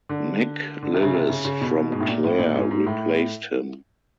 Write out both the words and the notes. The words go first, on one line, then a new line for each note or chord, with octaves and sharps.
Mick Lillis from Clare replaced him.
D3
D3
C3
C#3
C3
C#3
C#3
B2
G#2
A2
A#2
A2
A#2
G#2
G#2
A2